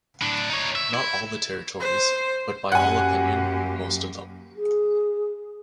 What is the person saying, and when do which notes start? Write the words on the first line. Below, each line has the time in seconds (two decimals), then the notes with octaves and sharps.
Not all the territories; but by all opinion, most of them.
0.22 A2 D4
0.50 D#4 C#5
0.75 E5
0.93 E4
1.80 C5
2.72 F#2 A#3 G4 F#5 G#5
4.57 G#4